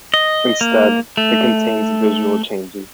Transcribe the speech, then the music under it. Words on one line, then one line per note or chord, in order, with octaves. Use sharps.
Instead, it contains visual changes.
D#5
A#3
A3